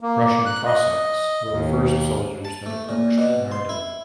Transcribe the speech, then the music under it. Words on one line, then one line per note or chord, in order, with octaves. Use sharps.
Russian cossacks were the first soldiers that approached Naarden.
A#3
F#6
D#5
D#2
A5
A3
A#2
B2
C6
E4